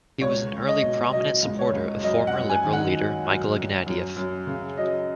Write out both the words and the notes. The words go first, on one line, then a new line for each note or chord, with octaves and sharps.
He was an early prominent supporter of former Liberal leader Michael Ignatieff.
C#2 C#5
C#2
D#5
B2
F#3 D#5
C#2
C#5
C#2
F#2 D#5
F#5
F#2
G#5
D#3
F#5
F#3
F#2
F#2
F#2
F#2
C#3
F#3 D#5